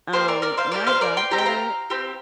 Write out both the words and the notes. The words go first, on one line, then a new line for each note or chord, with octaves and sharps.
um, my godbrother
A#3 D4 G4 C5
A#4 D5
A#4 D5
C5 F5
A#3 D4 G4 A#4 D5
C5 F5
A#4 D5
G5 C6
C4 G4 A#5
G5
F5 A#5
C4 G4